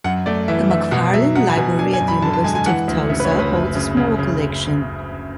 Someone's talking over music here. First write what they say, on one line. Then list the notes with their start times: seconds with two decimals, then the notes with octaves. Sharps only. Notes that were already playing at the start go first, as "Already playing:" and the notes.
The McFarlin Library at the University of Tulsa, holds a smaller collection.
0.04 F#2 F#5
0.26 A3 D5
0.48 E3 E5
0.70 E3 E5
0.91 B2 F#5
1.13 F#3 E5
1.35 F#3 F#5
1.50 G#5
1.57 B2
1.79 D4 G#5
1.93 G#5
2.00 F#2
2.08 B5
2.22 D3 A5
2.33 A5
2.44 G#3 G#5
2.55 G#5
2.66 E3 F#5
2.88 D2
3.10 C#3 E5
3.20 B4
3.25 C#5
3.31 D2
3.39 B4
3.53 F#1
3.75 C#3
3.97 C#3
4.19 C#3